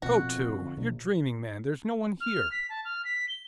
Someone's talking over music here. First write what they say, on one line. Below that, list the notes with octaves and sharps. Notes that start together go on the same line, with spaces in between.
'Go to!--you're dreaming, man!--there's no one here.'
F2 B2 A#3 F#4
D3
A#1 B2
F6
B6
A5
F6
B6
G7